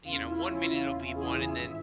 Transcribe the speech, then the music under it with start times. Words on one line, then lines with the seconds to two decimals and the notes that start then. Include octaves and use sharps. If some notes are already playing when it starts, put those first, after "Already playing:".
you know, one minute it'll be one, and then
0.04 E2 C#3 E3 F4
0.29 E4
0.46 C#4
0.54 E4
0.78 F4
1.15 G#4
1.51 G#1 G2 E3 E5